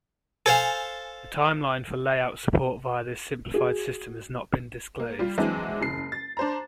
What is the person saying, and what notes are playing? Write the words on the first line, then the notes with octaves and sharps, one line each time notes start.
The timeline for Layout support via this simplified system has not been disclosed.
A4 C5 F5 G#5
F#4 G#4
A#3
G3 F4
E3 F#3 G#3 C4 D4 E4
F#1 C7
A6
D4 C5 A#5